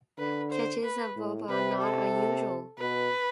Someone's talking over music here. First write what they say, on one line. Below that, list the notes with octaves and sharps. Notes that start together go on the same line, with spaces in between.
Catches above are not unusual.
D3 B4
C5
B4
A2
C3 B4
A4
B2 B4